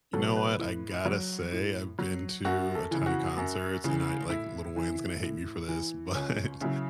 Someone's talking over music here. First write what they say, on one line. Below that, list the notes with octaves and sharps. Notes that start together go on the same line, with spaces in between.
You know what, I gotta say, I've been to a ton of concerts, and I like, Little Wayne's gonna hate me for this, but
B2 F#3 A4
B4
A2
F#3
A2
F#3
F#2 F#4
A4
C#3 E3
F#4
F#2
C#3 E3
A2 E4
E3
A2
E3
C#2 C#4
C#3 F#3 E4